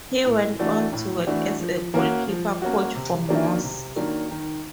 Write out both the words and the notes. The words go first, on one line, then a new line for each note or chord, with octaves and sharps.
He went on to work as a goalkeeper coach for Moss.
A2
E3 A3 D4 F#4
A2
E3 A3 D4 F#4
F3
A#3 C#4 F#4
F3
A#3 C#4 F#4
C3
D#3 F#3 A#3 D4
C3
D#3 F#3 A#3 D4
D#3